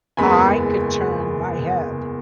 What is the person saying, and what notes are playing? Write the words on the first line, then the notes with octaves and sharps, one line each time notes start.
I could turn my head.
F#1 E2 C#3 G#3 B3 G#5 B5